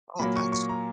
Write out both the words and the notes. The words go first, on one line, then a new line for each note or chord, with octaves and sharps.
Oh, that's
A#2 F#3 A#3 B5
C#6
C#6
A#5